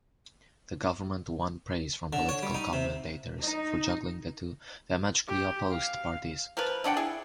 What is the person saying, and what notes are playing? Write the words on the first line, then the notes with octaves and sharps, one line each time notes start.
The government won praise from political commentators for juggling the two diametrically-opposed parties.
D3
C#5
G3
D#4
C3
D#4
G4
F5
F3 A#4 B4
A3 D4 F#5 G5
E4 G#4